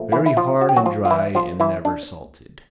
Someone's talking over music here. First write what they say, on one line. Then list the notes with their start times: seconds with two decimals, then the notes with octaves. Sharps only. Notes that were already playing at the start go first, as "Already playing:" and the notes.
Very hard and dry and never salted.
Already playing: A#2 F3 A3
0.12 E3 E4
0.26 E4
0.37 F3 F4
0.61 F#4
0.69 G4
0.76 F#3 F#4
0.86 F3 F4
1.05 F4
1.11 E3 E4
1.35 F3 F4
1.60 E3 E4
1.85 D4